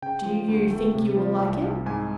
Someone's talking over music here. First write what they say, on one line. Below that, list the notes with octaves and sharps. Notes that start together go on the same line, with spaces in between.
"Do you think you will like it?"
C#3 G5
F3
D2
A3
C3
F3
C2
C2
G#2 G#5